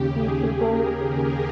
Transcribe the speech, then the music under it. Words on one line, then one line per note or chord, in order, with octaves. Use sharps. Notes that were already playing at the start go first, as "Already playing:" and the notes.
future goals,
Already playing: D#2 C#3 G4
G#4
A#4
G#4